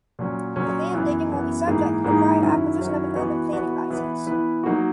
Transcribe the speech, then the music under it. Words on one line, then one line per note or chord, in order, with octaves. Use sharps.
The land digging will be subject to the prior acquisition of an urban planning license.
A#2 F#3 C#4
A#2 F#3 C#4
F#2 E3 B3
F#2 E3 B3
G#2 E3 A#3 D#4 G#4
G#2 E3 A#3 D#4 G#4
F#2 D#3 F#3 C#4 E4
F#2 D#3 F#3 C#4 E4
E3 B3 F#4 B4
E3 B3 F#4 B4
E3 B3 E4 B4
E3 B3 E4 B4
F#3 A#3 D#4 F#4